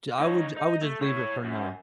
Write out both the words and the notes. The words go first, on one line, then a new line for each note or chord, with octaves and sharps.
Ju I would I would just leave it for now.
D#4 C#5
D#4
A3
E4 C#5
F#2